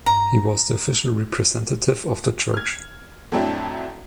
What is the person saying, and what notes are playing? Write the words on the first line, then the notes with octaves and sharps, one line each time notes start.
He was the official representative of the church.
A#5
F6 G#6
F2 A2 F#3 C4 D4 E4